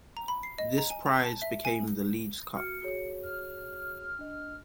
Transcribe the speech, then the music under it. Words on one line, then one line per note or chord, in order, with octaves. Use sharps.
This prize became the Leeds Cup.
A#5
B5
C7
D#5
A#5
G#5
A#5
A5
E5
G#5
F#4 F6 C#7
F#4 G#4 C#5
F6
D4 D#5